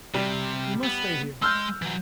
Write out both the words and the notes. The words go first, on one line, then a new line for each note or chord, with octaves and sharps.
You must stay here.
C3 G3
B3
G#3 C6 E6 F6 G6
E3 F#3